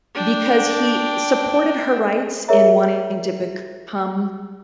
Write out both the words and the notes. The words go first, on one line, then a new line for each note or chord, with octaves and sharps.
because he supported her rights in wanting to become
D4 G5
G#4 A#4 C#5 D#5 E5 A#5